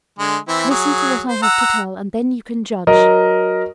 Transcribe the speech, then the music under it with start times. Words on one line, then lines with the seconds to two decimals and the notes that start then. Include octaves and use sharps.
Listen to what I have to tell and then you can judge.
0.19 D3 G#3
0.48 E3 C4 E4
0.70 F#3 G#4
1.29 C5
1.42 F#5 A#5 E6
2.87 F#3 A#4 D#5